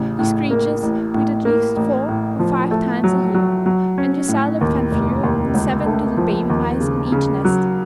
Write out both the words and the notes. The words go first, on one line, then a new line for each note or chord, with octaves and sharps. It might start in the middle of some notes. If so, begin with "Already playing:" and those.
These creatures breed at least four or five times a year; and you seldom find fewer than seven little baby-mice in each nest.
Already playing: A1 C#3
A2
A#3
A1
A2
A#3
A1
A2
F3
A3
F#3
F#3
F#3
C#4
A2
D#2
F1
D#2
C#2
A3
F3
D#2
C#3
C#3
F#3